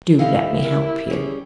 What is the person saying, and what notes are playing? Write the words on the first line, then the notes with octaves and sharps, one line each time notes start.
"Do let me help you."
E4 G4 A4 D#5 F5
G4 A#4
G3 C#4 G#4